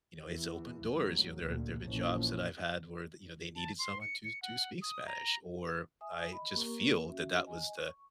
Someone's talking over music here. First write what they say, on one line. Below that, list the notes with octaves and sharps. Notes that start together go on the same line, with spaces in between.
you know, it's opened doors. You know, there there have been jobs that I've had where the, you know, they needed someone to to speak Spanish. Or I just feel that that was the
E2 E3
D#2 A2 F#3
D2 A#2
A#1 A#2 E3 F3 C#4
A5
C6
C#7
C#7
F#5
D#6
A#5
E5 G#5 D#6
D#5 B5
A#3 G4 A#4 C#6
C#4 F#4 E5
D#5 G#5
C#6